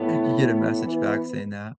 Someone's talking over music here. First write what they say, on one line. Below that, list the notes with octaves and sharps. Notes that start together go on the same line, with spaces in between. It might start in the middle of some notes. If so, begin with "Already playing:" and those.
you get a message back saying that.
Already playing: A2 B3
E3